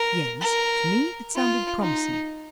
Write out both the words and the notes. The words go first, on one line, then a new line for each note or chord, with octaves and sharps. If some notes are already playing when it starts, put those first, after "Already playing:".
"Yes?" To me it sounded promising.
Already playing: A#4
A#4
F4
D#4